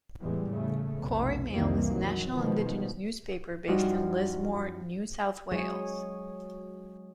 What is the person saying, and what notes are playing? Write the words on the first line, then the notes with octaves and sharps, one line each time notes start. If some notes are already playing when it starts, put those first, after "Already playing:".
Koori Mail is a national indigenous newspaper based in Lismore, New South Wales.
E2 A2 E3 G3 G#3
C#3 A3
F1 B1
C2 F2 D#3 E3 G3 A#3
F#2 D#3 F#3
B2 D#3 F3 G#3
F#2 F3 G3 D#4 E4 F#4
F#3 G#3 G#4 C#5